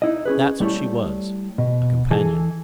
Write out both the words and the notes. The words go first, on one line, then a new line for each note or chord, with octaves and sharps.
That's what she was,--a companion.
D#4 E4 D#5
C#4 G#4 B4
G3 A3 E4 G4 A4 C#5
B2
E3 G#4 A4